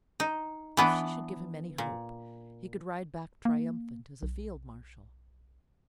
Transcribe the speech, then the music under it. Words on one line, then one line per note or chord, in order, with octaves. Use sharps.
If she should give him any hope, he could ride back triumphant as a field-marshal.
D#4
E3 B3 D4
A#2
A#3
B1